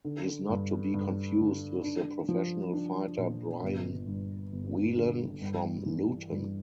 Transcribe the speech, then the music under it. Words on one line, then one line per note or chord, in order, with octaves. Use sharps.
He is not to be confused with the professional fighter Brian Whelan from Luton.
D3
G2
G2
D3
D4
F3
D4
A#2
G1
G2
G1
D3
G2
E3
G2